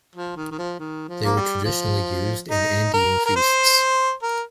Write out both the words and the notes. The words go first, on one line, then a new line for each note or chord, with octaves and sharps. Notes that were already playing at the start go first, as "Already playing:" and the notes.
They were traditionally used in Andean feasts.
F3
D#3
D#3
F3
D#3
F3
A#3
G3
F3
D#4
A#4
A#4
C5
A#4